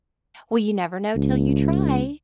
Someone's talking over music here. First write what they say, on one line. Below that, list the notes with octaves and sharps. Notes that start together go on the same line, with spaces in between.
"Well, you never know till you try."
C#2